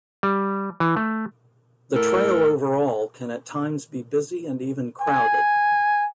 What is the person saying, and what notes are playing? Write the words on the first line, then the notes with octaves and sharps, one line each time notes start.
The trail overall can at times be busy and even crowded.
G3
E3
A3
A2 A4 A#4
G#5